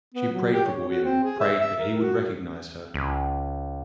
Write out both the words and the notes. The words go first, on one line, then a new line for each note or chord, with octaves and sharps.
She prayed for William, prayed that he would recognise her.
B3
F#3
G4
C#5
F#4
C4
G#4
E5
E5
A#4
F#4
C#2